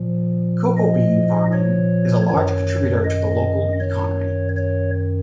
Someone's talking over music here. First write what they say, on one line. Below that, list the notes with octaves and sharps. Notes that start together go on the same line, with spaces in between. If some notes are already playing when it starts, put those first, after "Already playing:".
Cocoa bean farming is a large contributor to the local economy.
Already playing: A#2 F3
D#5
C#5
F#2 D#3 C#5
D#5
C#5
C#5